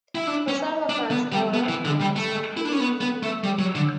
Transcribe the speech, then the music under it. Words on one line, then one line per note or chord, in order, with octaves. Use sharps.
For some of us, our loved ones have been killed in Iraq.
E4
D4
C#4
D4
B3
G3
B3
E3
D3
G3
A3
E4
D4
C#4
B3
B3
A3
G3
F#3
D3